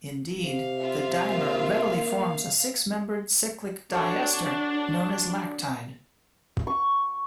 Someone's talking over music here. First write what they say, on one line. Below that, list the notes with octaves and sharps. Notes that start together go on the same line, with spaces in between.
Indeed, the dimer readily forms a six-membered cyclic diester known as lactide.
C3 F5
F4 E5
A#3
D4 F#4 A4 C#5
C#6